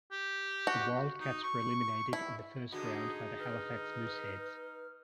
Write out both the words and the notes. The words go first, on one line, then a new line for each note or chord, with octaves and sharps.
The Wildcats were eliminated in the first round by the Halifax Mooseheads.
G4
F#4
D#4
C#6
E4
D3 G#3 B3 D#4 F#4 D#6
B4 F6